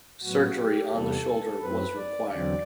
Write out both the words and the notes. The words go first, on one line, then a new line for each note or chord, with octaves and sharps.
Surgery on the shoulder was required.
A2 F#3 B3 F#4
G4
E2 C3 G3 B3 A4
F#2 F#3 C4 B4
D5
E2 D3 F#3 C4 D5